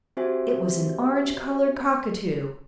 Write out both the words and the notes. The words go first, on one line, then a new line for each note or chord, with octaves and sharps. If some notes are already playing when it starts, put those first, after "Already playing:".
It was an orange-coloured cockatoo.
C4 F#4 G4 C5 E5 G#5